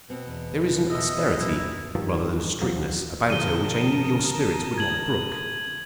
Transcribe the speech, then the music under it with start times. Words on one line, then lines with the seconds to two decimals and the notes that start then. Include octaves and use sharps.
There is an asperity, rather than strictness, about her which I knew your spirit would not brook.
0.10 B2 C4
0.27 E2
0.91 D#5 E5
1.39 F#2 A#2 E4
1.95 A#1 G2 D#3 F3
2.62 D#2 F3 F#3
3.30 D3 F3 A#4 A5 D#6 D#7 G7
4.78 G#6 F#7